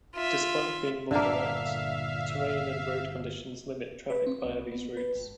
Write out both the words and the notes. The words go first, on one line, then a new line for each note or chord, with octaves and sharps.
Despite being more direct, the terrain and road conditions limit traffic via these routes.
F4 E5
G1 A#2 D3 A#3 E5 F5
B4
C4
C2
B3
B4
G#1